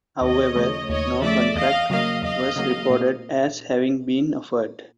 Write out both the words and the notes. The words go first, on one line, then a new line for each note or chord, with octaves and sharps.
However, no contract was reported as having been offered.
D#2 C#5 D#5
C#3 F3 A3
D#2 C#5 D#5
C#3 F3 A3 D5 E5
E2 D#5 F5
C#3 F#3 A#3 D#5 F5
E2 D#5 F5
C#3 F#3 A#3
A#2